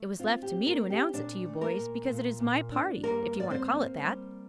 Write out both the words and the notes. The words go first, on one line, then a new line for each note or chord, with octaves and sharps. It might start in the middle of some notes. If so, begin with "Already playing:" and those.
It was left to me to announce it to you boys, because it is my party, if you want to call it that.
Already playing: A3
C4 F4
G4
C4
A#3 A#4
C4
G4
A#2 D4 D5
A3
A#3 A#4
A#2
A#2
A#2
D4
G2 A#3 A#4
A#3 D5
C4 C5
A#3
G3